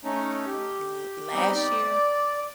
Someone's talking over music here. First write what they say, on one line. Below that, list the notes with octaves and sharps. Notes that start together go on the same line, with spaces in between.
l last year
A3 C#4 D#4
G4
G3 B3 C4 D#4 G4
D5